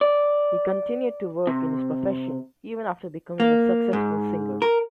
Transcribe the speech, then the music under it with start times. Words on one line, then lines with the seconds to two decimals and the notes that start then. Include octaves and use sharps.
He continued to work in his profession even after becoming a successful singer.
0.01 D5
1.47 C3
3.40 A#3
3.93 G#2
4.62 A#4